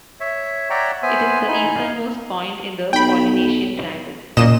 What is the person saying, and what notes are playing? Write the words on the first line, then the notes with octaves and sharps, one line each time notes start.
It is the easternmost point in the Polynesian Triangle.
C#5 E5
C#5 D5 E5 F#5 G5 A#5
B3 C5 E5 G#5
D#4 E4 G#5
D#4 F5
B1 G5 B5
F#1 A#2 D#5 E7